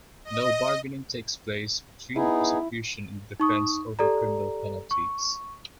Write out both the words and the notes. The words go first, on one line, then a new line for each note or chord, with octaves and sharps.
No bargaining takes place between the prosecution and the defence over criminal penalties.
D#5
B3 D#4 E4 G#4
D#4 C#6 D#6
G4 A4 D5 A#5
C#6